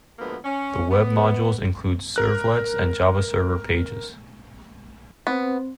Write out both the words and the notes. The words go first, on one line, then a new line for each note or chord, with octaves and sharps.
The Web modules include servlets and JavaServer Pages.
D2 F3 G#3 A#3 B3
C#4
B3
A#4 F#6
B3 C4 C5